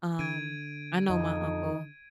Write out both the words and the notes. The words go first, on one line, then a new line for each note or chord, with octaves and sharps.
um, I know my uncle
D3 G#6 D7 D#7
F2 D#4